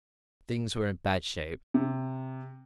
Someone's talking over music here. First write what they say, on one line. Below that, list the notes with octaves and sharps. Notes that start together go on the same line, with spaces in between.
Things were in bad shape.
C3